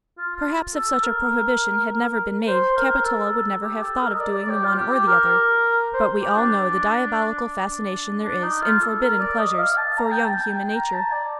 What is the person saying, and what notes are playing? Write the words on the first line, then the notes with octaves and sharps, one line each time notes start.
Perhaps if such a prohibition had never been made Capitola would never have thought of doing the one or the other; but we all know the diabolical fascination there is in forbidden pleasures for young human nature.
F4
F4
A4
A#4
C5
A#4
A4
G4
A4
A#4
D#5
D5
D5
G4
F4
G4
A#4
C5
G4
D4
D4
D4
D#4
F4
A4
A#4
D5
D#5
F5
A5
A#5
G5
A5
A5
G5
G5
A#5
A5
D5